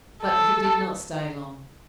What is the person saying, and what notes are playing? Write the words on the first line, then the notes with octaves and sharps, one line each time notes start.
But he did not stay long.
A4